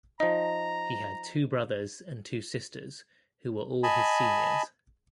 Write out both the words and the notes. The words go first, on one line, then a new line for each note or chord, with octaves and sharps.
He had two brothers and two sisters who were all his seniors.
F3 D#4 D#5 A#5
D#5 G#5 A5 B5